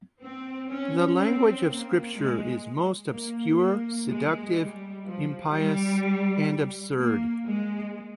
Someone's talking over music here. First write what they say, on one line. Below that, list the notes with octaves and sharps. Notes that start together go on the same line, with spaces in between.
The language of scripture is most obscure, seductive, impious, and absurd.
C4
C#4
C4
A#3
G#3
A#3
A#3
G#3
G3
F3
G3
A#3
G#3